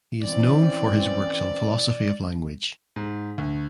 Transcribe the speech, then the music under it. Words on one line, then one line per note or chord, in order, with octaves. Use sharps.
He is known for his works on philosophy of language.
E3 C4 C#4 D5
G#2
D2